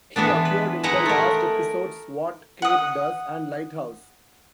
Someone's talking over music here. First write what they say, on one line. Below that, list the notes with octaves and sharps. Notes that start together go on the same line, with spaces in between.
He appeared in the "Lost" episodes "What Kate Does" and "Lighthouse".
E3 G#3 B3 D4
B4
G#3 D#4 E4 B4 F#5 A#5
A3 A#4
F#5 D#6